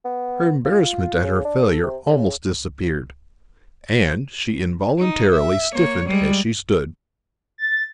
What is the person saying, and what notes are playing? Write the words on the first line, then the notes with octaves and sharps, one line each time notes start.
Her embarrassment at her failure almost disappeared, and she involuntarily stiffened as she stood.
B3
F4
C#3
D4
A4
C3
C#3
D#4
E5
A#3 C#5
G3 G#3
A6